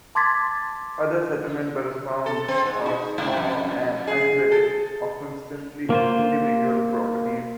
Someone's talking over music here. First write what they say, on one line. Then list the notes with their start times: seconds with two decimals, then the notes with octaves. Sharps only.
Other settlements by the sound are small and isolated-often simply individual properties.
0.15 A5 C6 D6 G#6 A6 B6
2.26 A4
2.48 C4
2.66 G#2
2.86 D#4
3.18 G#2
3.37 F2
4.07 G#4
4.51 A4
5.90 A#3 F4 C5